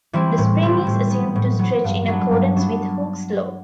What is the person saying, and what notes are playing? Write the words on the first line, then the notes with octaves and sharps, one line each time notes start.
The spring is assumed to stretch in accordance with Hooke's Law.
E3 G3 C4 E4
A2
E3 G3 C4 E4
A2
F#3 B3
A2
F#3 B3
G2
F#3 B3 D4
G2
F#3 B3 D4